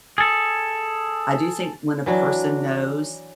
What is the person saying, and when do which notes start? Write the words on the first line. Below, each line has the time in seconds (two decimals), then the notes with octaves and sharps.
I do think when a person knows
0.18 G#4 A4
2.06 E3 F#3 D4